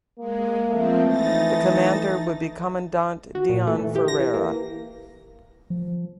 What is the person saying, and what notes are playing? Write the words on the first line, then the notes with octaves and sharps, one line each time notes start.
The commander would be Commandant Deon Ferreira.
G#3 A#3
F3 A3 C4
E3 D#4 A6 A#6
F#4
A#2
A3
E3
G4
A#6
E3
A#3
F3